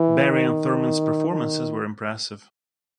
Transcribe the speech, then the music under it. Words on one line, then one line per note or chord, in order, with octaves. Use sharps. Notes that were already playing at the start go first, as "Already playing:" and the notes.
Barry and Thurmond's performances were impressive.
Already playing: E3
D#3
D#3